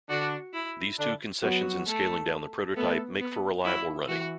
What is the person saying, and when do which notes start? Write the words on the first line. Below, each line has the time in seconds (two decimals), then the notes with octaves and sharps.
These two concessions in scaling down the prototype make for reliable running.
0.09 D3 D4 F#4
0.53 E4
0.98 D3 D4
1.42 F#3 B3 F#4
1.87 A3
2.75 A3 B3 A4
3.20 B3
3.64 F#3 E4 F#4
4.08 E3 F#4